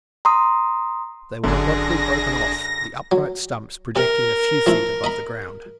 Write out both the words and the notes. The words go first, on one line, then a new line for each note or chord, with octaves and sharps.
They were abruptly broken off, the upright stumps projecting a few feet above the ground.
A#5 C6 D#6
G1 F#2 D3 D4 G#4 A#6
F#3
C3 A#4
F3 A3 E4
D#5 A#5 B5